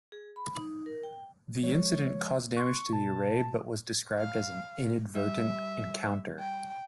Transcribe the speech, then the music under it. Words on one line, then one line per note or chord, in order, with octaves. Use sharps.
The incident caused damage to the array but was described as an "inadvertent encounter".
G#4
B5
D#4
A#4
G5
F3 G#3 C#5
C6 C#6 F#6
B2 A5
F5
G3 E5
G5